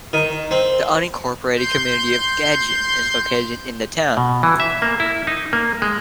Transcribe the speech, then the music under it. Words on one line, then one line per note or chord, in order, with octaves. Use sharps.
The unincorporated community of Gagen is located in the town.
D#3
C4
C6 G6
B2
E3
E5
A#3
E4
D#4
A#3
G#3